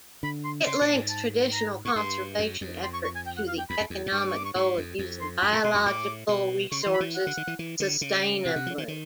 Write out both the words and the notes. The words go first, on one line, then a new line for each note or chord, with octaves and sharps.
It links traditional conservation efforts to the economic goal of using biological resources sustainably.
D3 B5
C6
C#3 C6
A#2
G#2
A5
A#5
G#2 C#6
G2 C6
F#2
F2
C6
C#6
C#6
G#5
G5
F#5
F5
G5
E2 B5
F2
E2
G#2
G2 C#6
D6
C#6
D6
C#6
G#2 C#6
F2
F2
C6
F#2 B5
A#2 A#5
B2 C6
F#2 C#6
A2 D6
B2
C#3 C#6
C6
E3
B5
E3
F#5
D3
D#3
E3
E3
D3
C#3
C3 F#5
C3
F3
D#3
D#3